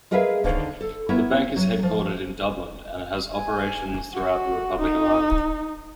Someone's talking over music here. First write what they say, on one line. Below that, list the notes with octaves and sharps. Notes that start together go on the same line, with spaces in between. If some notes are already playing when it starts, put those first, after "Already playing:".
The bank is headquartered in Dublin, and has operations throughout the Republic of Ireland.
G#3 G#4 A#4 B4 E5 F5
D2 D3 D#3 C#5 F5
A4
B3 E4 A#4 C#5
F#3
F3
G#5
F#4
D#4